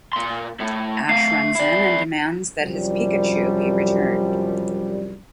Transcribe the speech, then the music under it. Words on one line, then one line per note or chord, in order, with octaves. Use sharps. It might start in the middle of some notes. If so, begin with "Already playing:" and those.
Ash runs in and demands that his Pikachu be returned.
A#2 C6
A3 E4
A3 F5 C7
E4 D5
C2 F#2 F3 G3